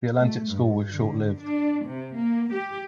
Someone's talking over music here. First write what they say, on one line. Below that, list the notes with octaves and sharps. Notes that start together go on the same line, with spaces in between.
The Atlantic School was short lived.
A3
G2
D3
D4
C3
A#3
G4